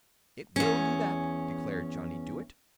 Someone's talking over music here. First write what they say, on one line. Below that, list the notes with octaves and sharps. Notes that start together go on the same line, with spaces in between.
"It will do that," declared Johnny Dooit.
E2 C#4